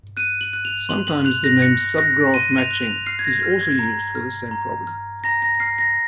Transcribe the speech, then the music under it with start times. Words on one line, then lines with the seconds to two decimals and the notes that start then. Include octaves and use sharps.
Sometimes the name subgraph matching is also used for the same problem.
0.17 F#6 D#7
0.41 F#7
0.53 F#6
0.65 F7
0.89 C6 F#7
1.07 F#7
1.25 F#6 F7
1.44 A#6
1.62 F#6 C#7
1.98 F#6 A#6
2.34 C6 D#7
2.58 F7
2.70 F#6
2.82 F7
3.06 F6 C7
3.19 G#6
3.24 A#6
3.43 F6
3.61 G#6
3.79 A#5
4.15 F6
4.51 A#5
4.87 F6
5.24 A#5 A#6
5.42 A#6
5.60 F6 C7
5.78 A#6